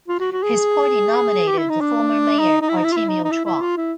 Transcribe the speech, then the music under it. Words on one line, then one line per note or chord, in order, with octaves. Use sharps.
His party nominated former Mayor Artemio Chua.
F4
F#4
F#4
G#4
G4
E4
D#4
D4
D#4
D#4
E4
D#4
E4
F4
E4
D#4
D#4
E4
E4
F4
E4